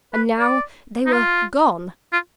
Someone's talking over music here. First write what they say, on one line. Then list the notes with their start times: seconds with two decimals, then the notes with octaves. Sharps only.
And now they were--gone.
0.14 B4
0.39 D5
1.06 D#4
1.13 F4
2.13 F4